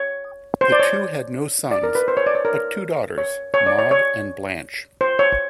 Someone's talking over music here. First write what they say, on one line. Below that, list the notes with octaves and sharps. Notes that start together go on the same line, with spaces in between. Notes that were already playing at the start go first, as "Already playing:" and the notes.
The two had no sons, but two daughters: Maud and Blanche.
Already playing: C#5
C5
D5
C#5
D5
A#4
B4
C5
C#5
D5
C#5
A#4
C#5
C#5
D5
C#5
C#5
C5
C#5